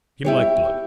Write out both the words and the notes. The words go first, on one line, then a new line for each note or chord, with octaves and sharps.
Heem like blood.
E4 G4 C#5